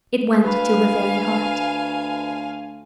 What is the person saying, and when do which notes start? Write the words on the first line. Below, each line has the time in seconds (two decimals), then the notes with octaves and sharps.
It went to her very heart.
0.44 D2 B4 F5 G#5 B5